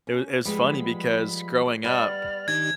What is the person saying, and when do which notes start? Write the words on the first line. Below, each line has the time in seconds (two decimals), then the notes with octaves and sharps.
it was it was funny because growing up,
0.07 C#4
0.45 F3 G3 G#3 B3 B5
1.84 G3 B3 D5 F6
2.48 D#3 D4 D#4 G4 G#6